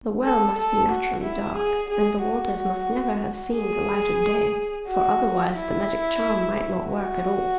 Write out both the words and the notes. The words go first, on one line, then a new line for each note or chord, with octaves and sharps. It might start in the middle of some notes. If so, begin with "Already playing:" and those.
"The well must be naturally dark, and the water must never have seen the light of day, for otherwise the magic charm might not work at all."
A4
A4
F#4
E4
G#4
G#4
F#4
G#4
F#4
E4
F#4